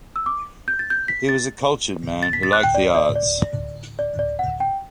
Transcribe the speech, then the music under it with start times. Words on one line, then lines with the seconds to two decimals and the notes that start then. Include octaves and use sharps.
He was a cultured man who liked the arts.
0.16 E6
0.26 D6
0.68 G6
0.79 A6
0.90 G6
1.08 B6
1.29 A6
2.23 A6
2.33 B6
2.43 A6
2.53 F#6
2.63 G5
2.75 D5
2.94 D5
3.15 D5
3.99 D5
4.19 D5
4.39 F#5
4.60 G5